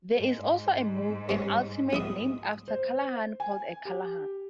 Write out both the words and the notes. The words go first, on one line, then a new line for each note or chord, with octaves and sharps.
There is also a move in Ultimate named after Callahan called a "Callahan".
G#2
G2 C#4
A#1 E4 D#6
C5
G#5
G4